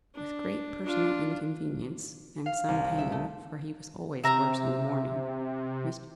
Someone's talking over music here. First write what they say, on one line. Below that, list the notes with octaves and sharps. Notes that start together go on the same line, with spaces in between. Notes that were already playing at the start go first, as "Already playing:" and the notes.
With great personal inconvenience, and some pain--for he was always worse in the morning--Mr.
D4
D4 F4
F5
C2
E5
A3
C3 E5 A#5